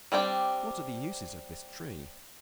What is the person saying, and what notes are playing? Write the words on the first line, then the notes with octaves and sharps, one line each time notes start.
What are the uses of this Tree?
G3 C4 D4 G5